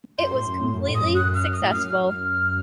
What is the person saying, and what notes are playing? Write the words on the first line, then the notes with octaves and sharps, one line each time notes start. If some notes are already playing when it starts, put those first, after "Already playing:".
It was completely successful.
F#2 C6
A2
F#2
A2
F#2
A2
D#6
F#2
F#6
F6
D#6
A2
F#2 F6
F6